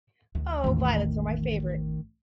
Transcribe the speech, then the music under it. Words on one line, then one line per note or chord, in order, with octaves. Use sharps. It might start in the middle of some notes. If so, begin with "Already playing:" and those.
Oh violets are my favourite!
D2 D#3
A1 E2 D#3